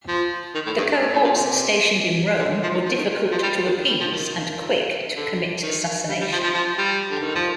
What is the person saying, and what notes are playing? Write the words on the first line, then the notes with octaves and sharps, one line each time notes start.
The cohorts stationed in Rome were difficult to appease and quick to commit assassination.
F3
D#3
A2
G2
G2
A2
A#2
C3
D3
D#3
F3
D#3
F3
D#3
F3
G3
F3
D#3
D#3
G3
F3
D#3
D3
D#3
G3
G3
F3
F3
F3
G3
D3
D#3
F3